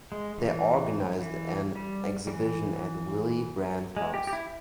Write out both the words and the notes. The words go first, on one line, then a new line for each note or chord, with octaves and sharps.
They organized an exhibition at Willy Brandt House.
G#3
E3
E3
G3
G3
E3
G#3
G4
G4
E4